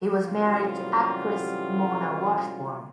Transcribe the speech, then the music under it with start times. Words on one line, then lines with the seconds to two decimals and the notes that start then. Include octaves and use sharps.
He was married to actress Mona Washbourne.
0.25 A1 C3 F#3 G3 F4